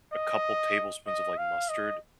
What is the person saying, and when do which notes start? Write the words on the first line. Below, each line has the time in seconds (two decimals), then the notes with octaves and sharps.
a couple tablespoons of, like, mustard
0.12 D#5
1.06 D#5
1.38 F5
1.69 D#5